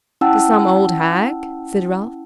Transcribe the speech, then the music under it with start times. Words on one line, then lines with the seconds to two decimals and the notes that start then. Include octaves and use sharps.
'To some old hag?' said Ralph.
0.21 C#4 E4 F#5 G5 A5 E6